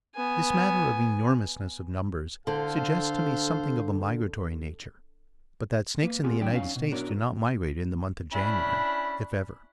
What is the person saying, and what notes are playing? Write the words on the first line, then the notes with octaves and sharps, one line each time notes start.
This matter of enormousness of numbers suggests to me something of a migratory nature--but that snakes in the United States do not migrate in the month of January, if ever.
B3 G#5
D3 A4 C5 F5
A#3 B4
B3 C4 F4 G4 G#4
D#2 F#3 D4 D5 G5
C#4 D#4 C#5 F5
B2
B3 D4 F#4 A#4 C#5 D5
C#4 D4 E4 B5